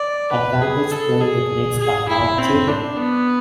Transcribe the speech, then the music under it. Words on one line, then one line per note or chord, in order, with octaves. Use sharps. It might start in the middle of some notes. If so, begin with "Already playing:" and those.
Advantage play techniques are not cheating.
Already playing: D5
B4
G#4
A4
G#4
G#4
E4
C4
D4
B3